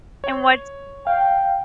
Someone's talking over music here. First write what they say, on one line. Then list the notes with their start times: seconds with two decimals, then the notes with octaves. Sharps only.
And what's
0.24 C#5
1.07 F5 G5